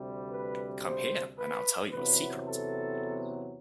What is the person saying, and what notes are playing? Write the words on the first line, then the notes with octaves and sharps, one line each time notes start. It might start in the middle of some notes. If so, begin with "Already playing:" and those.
Come here and I'll tell you a secret.
Already playing: D2 C3 G3
B4
C5
B4
E2 C3 F#3 B3 B4
A4